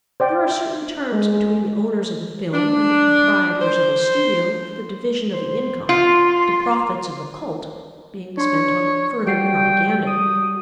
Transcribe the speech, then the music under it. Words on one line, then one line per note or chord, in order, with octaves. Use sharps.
There are certain terms between the owners of the film and the proprietors of the studio for the division of the income, the profits of the cult being spent on further propaganda.
C5 D5 G5
E5
G#3
D4
C5
C5
F4 C6
D4 C#5 C6
G3 F#4 G5 C7
D#6